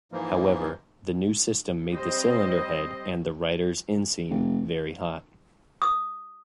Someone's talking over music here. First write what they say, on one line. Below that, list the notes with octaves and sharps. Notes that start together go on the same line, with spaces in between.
However, the new system made the cylinder head, and the rider's inseam, very hot.
G#2 E3 F3 A#3
G3 C4 C5 D#5
F1
D#6